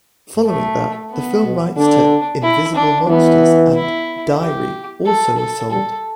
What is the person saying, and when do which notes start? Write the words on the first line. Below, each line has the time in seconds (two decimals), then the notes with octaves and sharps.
Following that, the film rights to "Invisible Monsters" and "Diary" also were sold.
0.46 A3
1.11 B3
1.44 B2
1.76 D3 D4
2.43 E4
2.75 D4
3.08 E3 B3
3.74 E4
4.40 G4
5.05 A4
5.38 A4
5.71 G3 A4